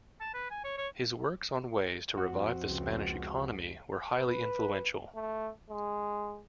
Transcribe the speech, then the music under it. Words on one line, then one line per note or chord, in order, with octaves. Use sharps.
His works on ways to revive the Spanish economy were highly influential.
A5
B4
G#5
C#5
C#5
F2 C4 F#4
C#2
B4
A3
G#3